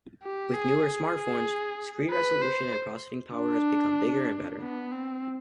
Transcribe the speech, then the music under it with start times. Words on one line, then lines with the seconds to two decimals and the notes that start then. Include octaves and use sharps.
With newer smartphones, screen resolution and processing power has become bigger and better.
0.23 G4
0.54 G#4
0.85 G#4
2.10 B4
2.42 C5
3.35 D4
4.61 B3
4.92 C4